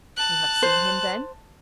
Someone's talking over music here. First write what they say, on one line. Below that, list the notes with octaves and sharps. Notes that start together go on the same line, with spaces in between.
"You have seen him, then?"
A5 F#6
C5